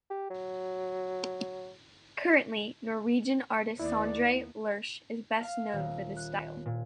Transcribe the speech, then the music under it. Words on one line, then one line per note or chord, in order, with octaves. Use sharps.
Currently Norwegian artist Sondre Lerche is best known for this style.
G4
F#3
D#2 B3 E4 D5
F5
D#1
F#6
A#2